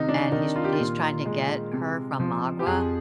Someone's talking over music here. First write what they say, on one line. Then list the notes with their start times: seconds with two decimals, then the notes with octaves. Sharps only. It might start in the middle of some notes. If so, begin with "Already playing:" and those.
and he's he's trying to get her from Magua,
Already playing: C3 D#3 D#4
0.08 D4
0.32 D#3 D#4
0.56 F4
0.64 G4
0.73 F4
0.79 A#2
1.26 G#3
1.73 C3
2.20 F3
2.59 G4
2.66 F2 G#4